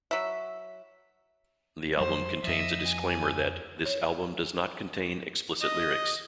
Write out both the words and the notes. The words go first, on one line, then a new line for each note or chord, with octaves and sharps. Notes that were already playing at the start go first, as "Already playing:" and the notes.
The album contains a disclaimer that 'This album does not contain explicit lyrics.
F#3 E5
F2 F#3 G3 C5
F2 F3 D#5 E5
G#5
C#5
D#5